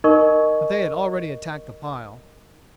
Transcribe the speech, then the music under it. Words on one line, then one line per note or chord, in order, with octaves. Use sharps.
But they had already attacked the pile.
D#4 A#4 D#5 C#6